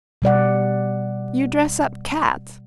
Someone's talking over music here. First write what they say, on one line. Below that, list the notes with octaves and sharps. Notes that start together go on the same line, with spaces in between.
"You dress up cats."
B2 G3 D5 F#5